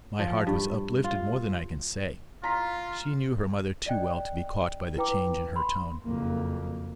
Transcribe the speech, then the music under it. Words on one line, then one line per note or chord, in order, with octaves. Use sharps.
My heart was uplifted more than I can say.--She knew her mother too well to be caught by the change in her tone.
F3
G2
F4
F4 A#5 B6
D5 D#5 G5 F#6
E4 B4 G5 A#5 D6
B5 C6
F#1 F2 A#3